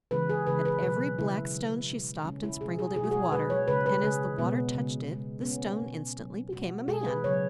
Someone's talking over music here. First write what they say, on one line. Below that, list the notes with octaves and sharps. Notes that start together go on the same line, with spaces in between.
At every black stone she stopped and sprinkled it with water, and as the water touched it the stone instantly became a man.
C#3 E3 G#3 B4
G#4
C#3 E3 G#3 B4
B4
B2 F#3 B4
C#3 G#3 E4
C#3 G#3
B2 G#3
C#3 G#3 C#4
E4
B2 G#3 G#4
G#4
B2 F#3 G#4
F#4
G#4
B2 G#3 B4
C#5
C#3 G#3 B4
B4
C#3 G#3 G#4
B2 G#3 B3
C#3 G#3
B2 G#3
B3
C#3 G#3 C#4
B2 G#3
B2 F#3
B2 G#3 F#4
B2 G#3 G#4
B4
C#3 F#3 C#5